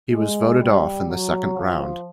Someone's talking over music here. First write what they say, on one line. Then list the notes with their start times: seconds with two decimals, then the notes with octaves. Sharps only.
He was voted off in the second round.
0.11 G#3
0.60 G3
1.09 F#3
1.57 F3